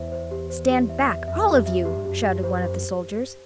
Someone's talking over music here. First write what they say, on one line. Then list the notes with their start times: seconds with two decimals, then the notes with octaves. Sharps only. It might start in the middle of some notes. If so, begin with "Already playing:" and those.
"Stand back, all of you!" shouted one of the soldiers.
Already playing: E2 C5 E5
0.12 C5
0.31 G4
0.50 C5
0.70 G4
0.89 E5
1.09 E5
1.28 F2 E5
1.38 E2
1.47 F2 G4
1.66 E5
1.85 G4
1.96 G2
2.05 F#2 G4
2.23 G4
2.43 C5
2.62 C5